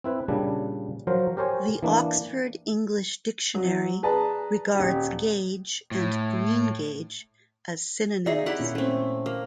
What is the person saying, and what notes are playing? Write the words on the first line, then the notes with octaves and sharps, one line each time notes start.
The Oxford English Dictionary regards "gage" and "greengage" as synonyms.
C4 E4 B4
A#2 C#3 G3 D4
F3 F#3 A#4 C5
G4 A#4 C5 C#5 G#5
E3 A#3 D4
F#3
G#4 B4 D5 A5 A#5
D#1 G4
A2
D#4 F4 G#4 D5 E5
E4 G4 F#5 B6
A#2 C#4
A3 C4
A#3